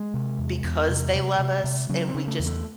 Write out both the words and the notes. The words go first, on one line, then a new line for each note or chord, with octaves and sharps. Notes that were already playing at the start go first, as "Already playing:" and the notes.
because they love us, and we just,
Already playing: G#3
C3
E2
E2
C3
C3
C3
C3
C#3 F#3
C4
C#3
A3
E2
A3